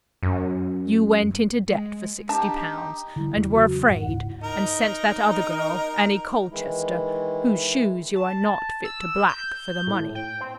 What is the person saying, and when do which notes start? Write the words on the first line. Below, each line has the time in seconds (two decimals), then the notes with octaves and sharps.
You went into debt for sixty pounds, and were afraid, and sent that other girl, Annie Colchester, whose shoes you are not fit to black, for the money.
0.23 F#2
1.67 G#3
2.29 D4 D#4 G4 A5
3.16 D3 G3 E4
3.36 E2 C#3 F#3
3.53 F#4
3.88 D#1 G#2 C#3 F#5
4.08 D2 G#2 E4
4.44 D#4 A#4
6.51 D#3 E3 G#3 E4
8.15 A5
8.84 E6
9.29 G6
9.87 A2
10.15 G5
10.41 C4